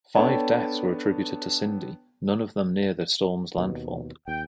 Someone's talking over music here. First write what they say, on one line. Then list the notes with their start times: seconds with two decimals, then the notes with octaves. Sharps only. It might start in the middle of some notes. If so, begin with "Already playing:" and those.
Five deaths were attributed to Cindy, none of them near the storm's landfall.
0.15 B3 D4 A4 C#5 G5 A5
3.57 D#2 B2
4.28 D#2 G5